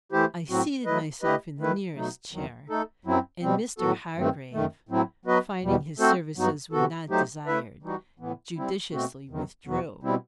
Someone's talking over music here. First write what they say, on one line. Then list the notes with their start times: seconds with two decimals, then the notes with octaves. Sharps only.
I seated myself in the nearest chair; and Mr. Hargrave, finding his services were not desired, judiciously withdrew.
0.12 E3 A3 E4 G4 C5
0.49 A2 F#3 C4 F#4
0.86 F#3 A3 E4 B4 D#5
1.22 A3 E4 G4 B4 D#5
1.59 D#3 A3 E4 B4
1.95 B2 F#3 A3 D#4
2.33 E2 D#3 F#3
2.69 A3 D#4 A4
3.05 F#2 F#3 C4 E4
3.42 B2 G3 C4
3.79 A2 F#3 B3 F#4 A4
4.16 G2 D#3 A3 C4
4.53 F#2 D#3 A3
4.89 A2 F#3 C4 E4
5.25 F#3 B3 F#4 B4 D#5
5.62 E2 B2 G3
5.99 A3 C4 F#4 A4 C5
6.36 G2 F#3 B3 D#4 F#4
6.72 C3 E3 B3 F#4 A4
7.09 F#3 A3 D#4 G4 C5
7.47 A3 E4 B4 E5
7.82 E3 G3 D#4 F#4
8.19 A2 E3 B3
8.56 G3 C4 E4
8.92 B2 A3 C4 F#4
9.29 E2 D#3 F#3
9.65 E2 B2 F#3 B3 F#4
10.03 B2 G3 C4 E4